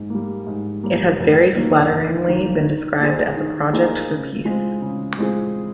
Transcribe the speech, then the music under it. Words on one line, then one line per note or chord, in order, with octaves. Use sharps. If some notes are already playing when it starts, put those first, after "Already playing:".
It has very flatteringly been described as a project for peace.
Already playing: G#2
G3 A#3
G#2
G3 A#3
F1
D#2 D#3 A#3
F1
D#2 D#3 A#3
D#3
A#3 D#4 G#4 C5
D#3
A#3 D#4 G#4 C5
C#3
G#3 C4 F4 G#4
C#3
G#3 C4 F4 G#4